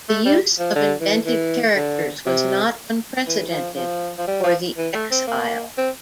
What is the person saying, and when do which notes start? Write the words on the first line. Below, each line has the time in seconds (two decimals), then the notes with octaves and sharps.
The use of invented characters was not unprecedented for "the eXile".
0.09 A3
0.25 G3
0.59 F3
0.75 D3
1.01 E3
1.26 E3
1.76 D3
2.26 C3
3.27 E3
3.51 F3
3.76 F3
4.18 F3
4.27 G3
4.44 F3
4.77 E3
4.94 A3
5.11 C4
5.27 A#3
5.78 C4